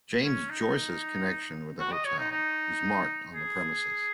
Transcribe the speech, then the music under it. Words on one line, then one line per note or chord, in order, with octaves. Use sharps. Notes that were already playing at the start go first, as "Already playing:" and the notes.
James Joyce's connection with the hotel is marked on the premises.
C#4
D#4
F#4
D#5
C#5
D#4
D#4
G#4